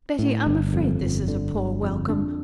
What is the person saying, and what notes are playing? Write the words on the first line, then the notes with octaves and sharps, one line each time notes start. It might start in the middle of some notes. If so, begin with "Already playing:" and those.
Betty, I'm afraid this is a poor welcome.
A2
G1
F2
G1
D3
G1
F2
D4